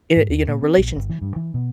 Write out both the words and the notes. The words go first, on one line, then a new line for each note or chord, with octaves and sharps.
eh, you know, "relations,"
G#2
D#2
A#2
C4
A#1
G1
E3
G2
E3
B2